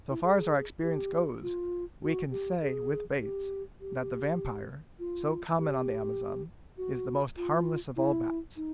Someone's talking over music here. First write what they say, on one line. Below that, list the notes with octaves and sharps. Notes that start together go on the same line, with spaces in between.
So far as our experience goes, we can say, with Bates, that the vampire, so common on the Amazon, is the most harmless of all bats.
E4
G#4
G4
F4
F#4
G4
G#4
G4
G4
F4
G4
F#4
F4
E4
D#4